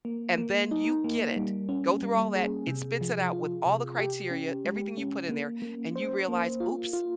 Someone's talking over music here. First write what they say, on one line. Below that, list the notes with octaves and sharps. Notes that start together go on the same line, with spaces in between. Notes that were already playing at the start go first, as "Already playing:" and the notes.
and then you get it. Go through all that, it spits it out with all the criteria, everything you put in there, and you realize, 'Oops,
A#3
A#3
D#4
A#3
G3
C#4
G3
G#4
C3
F3
F4
C3
G4
C#4
G#3
C#4
A#3
A#3
C5
A#3
F4
F4